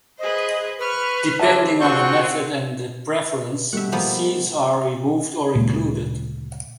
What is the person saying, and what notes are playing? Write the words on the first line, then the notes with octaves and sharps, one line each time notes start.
Depending on the method and the preference, the seeds are removed or included.
G#4 B4 C5 D#5
B4 C#6 F6
C#3 E3 F3 G4 E5 A5
C4 F4 F#4 G#4 F#5 C#6 G6
B2 G3 A3 E5 F#5
F3 A#3 B3
D2 A#2 C#3 G#3